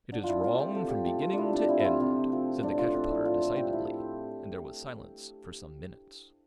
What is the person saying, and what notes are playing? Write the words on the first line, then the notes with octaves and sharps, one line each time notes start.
'It is wrong from beginning to end,' said the Caterpillar decidedly, and there was silence for some minutes.
D3 D4
E4 F4
A3 C4 F4
G4
D3 A4
G4
A3 C4 G4
F4
C3 D4 E4
D4
F3 C4 E4
E4
F4
C3 E4
F3 C4
A2 D4
F4
F3 C4 D4
E4
A2 F4
A4
F3 C4 G4
E4